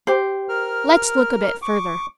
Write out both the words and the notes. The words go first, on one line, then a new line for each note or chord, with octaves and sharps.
"Let's look a bit further."
G4 C5
A#4 F6
C#6 D6